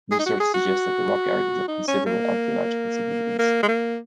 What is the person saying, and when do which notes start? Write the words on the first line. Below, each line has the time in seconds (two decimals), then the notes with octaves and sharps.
Research suggests that the rock art is of considerable archaeological significance.
0.11 G#4
0.19 D#4
0.26 F#4
0.40 G#4
0.54 F#4
1.68 D#4
1.88 C#4
2.06 A#3
3.39 A#3
3.63 G#3
3.68 A#3